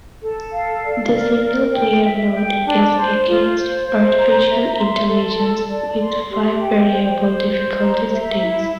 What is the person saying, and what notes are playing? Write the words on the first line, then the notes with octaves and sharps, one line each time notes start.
The single-player mode is against artificial intelligence with five variable difficulty settings.
A4
F5
D5
A#4
A#4
G5
E5
G5
D4
C5
F4
C5
C5
A#5
E5
C6
A4
A5
D5
C6
G4
G5
C5
C5
C5
A#5
E5
E4